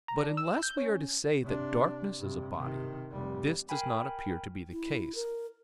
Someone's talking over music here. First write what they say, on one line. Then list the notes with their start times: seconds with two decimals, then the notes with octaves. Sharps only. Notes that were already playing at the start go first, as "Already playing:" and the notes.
But unless we are to say that darkness is a body, this does not appear to be the case.
0.08 A#5
0.23 D4
0.37 E6
0.63 G6
0.77 C#4
1.43 C3 D4
2.18 G2 C3
2.58 C3 D#3
3.11 F1 G3
3.69 A#4 G5 G#5 B5
4.72 E4
5.15 A#4